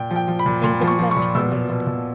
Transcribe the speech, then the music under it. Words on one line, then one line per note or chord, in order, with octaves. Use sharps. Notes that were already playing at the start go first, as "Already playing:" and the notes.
Things'll be better some day, no doubt.'
Already playing: A#2 G5
F3
G5
F3
B5
A#2
A#2 C6
F3
C#6
F3
C#6
A#2
B2 E6
B2
B2
B2